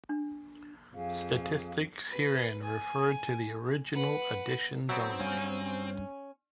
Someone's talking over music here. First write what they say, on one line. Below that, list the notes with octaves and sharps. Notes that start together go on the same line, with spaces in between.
Statistics herein refer to the original editions only.
D4
F2 G#4 F5
B4
G#5
B4 F#5
F#3 B3 C4 E5
G2 G3 C#4 F5